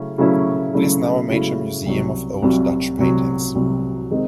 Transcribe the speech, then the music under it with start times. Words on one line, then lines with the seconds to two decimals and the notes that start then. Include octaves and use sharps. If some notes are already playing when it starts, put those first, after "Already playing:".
It is now a major museum of old Dutch paintings.
Already playing: C#3 F#3 A3 C#4 E4
0.18 C#3 F#3 A3 C#4 E4
0.74 C#3 F#3 A3 C#4 E4
1.30 C#3 F#3 A3 C#4 E4
1.86 C2 C3 F#3
2.42 C2 C3 F#3
2.99 C2 C3 F#3
3.55 C2 C3 F#3
4.11 C3 D#3 G#3 C4 D#4